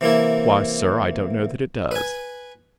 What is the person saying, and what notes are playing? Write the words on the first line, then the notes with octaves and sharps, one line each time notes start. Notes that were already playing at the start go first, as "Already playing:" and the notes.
'Why, Sir, I don't know that it does.
C3 E3 A#3 E4
B4 G#5